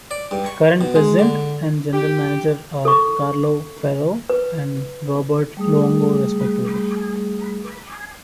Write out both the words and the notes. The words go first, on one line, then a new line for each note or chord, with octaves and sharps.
Current president and general manager are Carlo Ferro and Roberto Luongo respectively.
D5
G2
C#6
B2
G#3
D3
G4
A4 C#6
B4
G3 A3 G#4 D#6